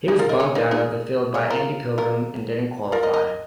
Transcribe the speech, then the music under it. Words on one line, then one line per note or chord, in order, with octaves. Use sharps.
He was bumped out of the field by Andy Pilgrim and didn't qualify.
D#4 G#4
F4 A#4
A#4 D#5
G#4 C#5
A#3 D#4
D#4 G#4
G#4 C#5
F4 A#4
F4 A#4
F4 A#4
A#4 D#5
A#4 D#5